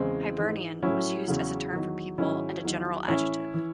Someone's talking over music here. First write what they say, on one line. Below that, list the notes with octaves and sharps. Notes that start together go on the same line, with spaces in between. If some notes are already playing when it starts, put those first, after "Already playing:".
"Hibernian" was used as a term for people, and a general adjective.
Already playing: E2 C#3 E3 G#3 C4
G#2 E3
A2 F#3 C#4 E4
E2 C#3 F#3
E2 D#3 F#3
G#2 D#3 F#3 C#4 E4
E2 D#3 F#3
A2 E3 C#4 E4
E3